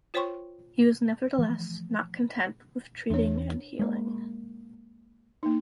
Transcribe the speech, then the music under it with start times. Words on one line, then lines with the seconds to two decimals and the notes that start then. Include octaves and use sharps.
He was nevertheless not content with treating and healing.
0.14 F4 C5 C#5 G5 C6 C#6
1.38 E3 F3 A3
3.10 E2 D4 C#5
3.79 G#3 A#3
5.43 A#3 D#4